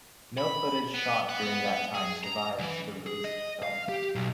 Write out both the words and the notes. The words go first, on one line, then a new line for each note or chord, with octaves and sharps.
No footage shot during that time survived to the released film.
B5
B3
B3 F#5
G#4
A#5
C#2 E3
G#4
D#5
F5
G4
B1